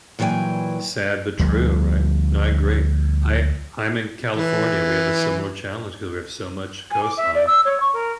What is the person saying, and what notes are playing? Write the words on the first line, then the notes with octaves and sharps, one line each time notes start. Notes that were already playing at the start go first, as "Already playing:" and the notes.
Sad but true, right? No, I agree. I I'm in California, we have a similar challenge 'cause we have so much coastline.
A#2 E3 F#3 C#5 G5 G#5
D2 F3 G3
E3
G#5
D6
E5
D5
E6
C#5
C#6
A#4